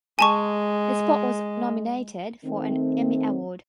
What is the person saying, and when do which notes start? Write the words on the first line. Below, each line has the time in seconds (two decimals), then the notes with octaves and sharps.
The spot was nominated for an Emmy Award.
0.19 G#3 G#5 A5 C#6
2.45 D#3 A3 C4